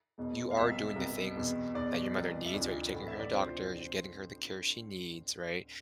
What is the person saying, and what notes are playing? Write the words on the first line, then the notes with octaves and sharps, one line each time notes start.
you are doing the things that your mother needs, right? You're taking her to doctors, you're getting her the care she needs, right?
E1 E2 B2
F5
C2 B2 E5
C2 B2
E2 B2
E2 B2 D5
C2 B2
E5
D2 C3 F3 D5
A1 A2 E3
E5
D5
D2 C3 F3 C5